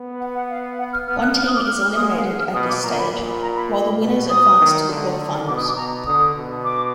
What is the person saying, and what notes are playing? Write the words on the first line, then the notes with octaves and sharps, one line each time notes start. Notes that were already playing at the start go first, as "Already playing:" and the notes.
One team is eliminated at this stage, while the winners advance to the quarter-finals.
Already playing: B3
F#5
F#5
F5
F#5
F6
B3 F6
F#6
F6
D#6
D6
F6
F6
G#3 D#6
G#5
F5
F#5
F6
B2 D#6
D6
A#2 A#5
B5
A#2
A#5
B5
B2
D#6
D#3
D3
D3
B2 D6
D#6
D6
B2 A#5
D3 D#6
B2
D6